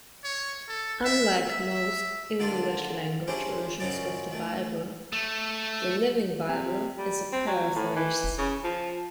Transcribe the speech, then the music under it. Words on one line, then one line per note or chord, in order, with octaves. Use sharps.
Unlike most English language versions of the Bible, "The Living Bible" is a paraphrase.
C#5
A4
E5
E5
D3 D#3 A#3 D4 F4 A4
G#3 C#4 D4 E4 G4 C5
F#2 C#3 F3 C#4 D#4 D5
D#3 A3
A3
C3
G3
C4
F#3
A2
E3
C#3
F3